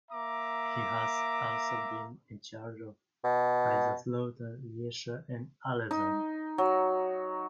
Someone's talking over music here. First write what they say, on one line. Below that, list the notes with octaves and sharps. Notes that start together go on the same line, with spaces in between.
He has also been in charge of Kaiserslautern, Lierse and Aalesund.
A#3 E5 A#5 D6
B2
D#4
F#3